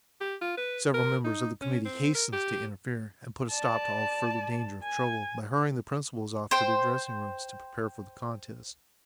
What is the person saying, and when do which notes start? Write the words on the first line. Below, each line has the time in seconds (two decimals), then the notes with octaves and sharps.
Several members of the committee hastened to interfere, and put a stop to all further danger of trouble by hurrying the principals off to their dressing-rooms to prepare for the contest.
0.21 G4
0.41 F4
0.57 B4
0.94 A#4
1.24 D#4
1.61 C#4
1.85 C4
2.14 A#4
2.33 G4
3.51 D5 A5
4.83 G#5
6.51 C5 G5